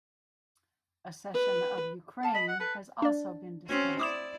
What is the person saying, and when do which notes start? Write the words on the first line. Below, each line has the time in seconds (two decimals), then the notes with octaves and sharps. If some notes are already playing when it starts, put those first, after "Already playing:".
Accession of Ukraine has also been discussed.
1.34 B4
2.23 F5 A5
2.35 D#5 B5
2.48 F#5
2.60 A4 B4
3.02 D4 D5
3.67 C4 C#4 F#4
4.00 E4 D5 D6 D#6 E7